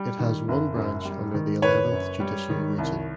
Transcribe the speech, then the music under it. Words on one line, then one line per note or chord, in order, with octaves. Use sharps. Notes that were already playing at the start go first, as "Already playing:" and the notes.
It has one branch under the Eleventh Judicial Region.
Already playing: G3
D#3
F#1
F#2
G3
D#3
F#1 B4 C#5
F#2
G3
D#3
C2